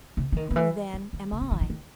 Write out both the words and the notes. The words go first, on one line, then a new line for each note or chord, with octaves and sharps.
"Who, then, am I?"
C3
E3
D#3
D#3
E3
D#3
D#3
C3
B2
D#3
E3
D#3